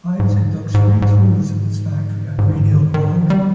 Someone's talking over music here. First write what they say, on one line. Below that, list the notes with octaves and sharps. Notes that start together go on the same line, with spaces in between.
Haigh's conducts free tours of its factory on Greenhill Road.
G#2
G#2
G#2
G#2
G2
G#2
D#3
F3
G3